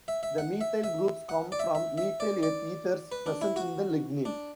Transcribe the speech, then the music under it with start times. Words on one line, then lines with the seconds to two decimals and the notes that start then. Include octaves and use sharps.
The methyl groups come from methyl ethers present in the lignin.
0.08 E5
0.23 E5
0.38 F#5
0.61 E5
0.84 E5
1.29 F#5
1.52 D5
1.59 E5
1.75 E5
1.98 E5
2.20 D5
2.43 D5
3.12 B4
3.26 D4
3.41 E4
3.56 F#4
4.25 D4